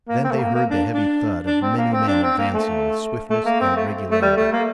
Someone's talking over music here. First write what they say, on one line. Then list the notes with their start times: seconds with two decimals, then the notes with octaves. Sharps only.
Then they heard the heavy thud of many men advancing with swiftness and regularity.
0.09 A#3
0.24 C4
0.32 A3
0.39 A#3
0.54 A#3
0.70 D4
0.94 D4
1.46 D4
1.62 C4
1.77 A#3
1.92 C4
2.07 D4
2.23 C4
2.38 A#3
2.54 A3
3.30 A3
3.45 A#3
3.61 C4
3.76 A3
4.11 A3
4.22 G3
4.37 A3
4.52 A#3